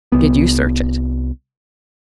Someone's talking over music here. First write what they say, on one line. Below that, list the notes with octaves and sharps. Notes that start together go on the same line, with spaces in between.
"Did you search it?"
C2 B3